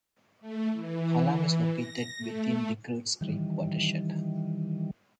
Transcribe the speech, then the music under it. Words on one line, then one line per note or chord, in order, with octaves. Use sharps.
Hallam is located within the Kreutz Creek watershed.
A3
E3
A#6
A3
D#3 E3 G3